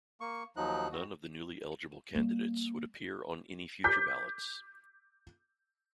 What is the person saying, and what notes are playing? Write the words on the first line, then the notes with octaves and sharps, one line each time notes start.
None of the newly-eligible candidates would appear on any future ballots.
A#3 C#6
D#2 F3 F#3 D#4 F#6
F2 F#4
G3 A#3
D6 G6 B6